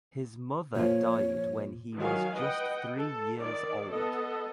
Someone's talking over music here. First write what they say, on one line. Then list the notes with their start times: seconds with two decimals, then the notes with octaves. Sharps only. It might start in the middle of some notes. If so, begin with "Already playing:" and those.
His mother died when he was just three years old.
0.76 A#2 F3 C#5
1.96 D#3 F#3 F5 G#5
2.36 B4 D#5 F#5 G5
2.97 A4
3.41 D#3 D5
3.91 B3 A4 D#5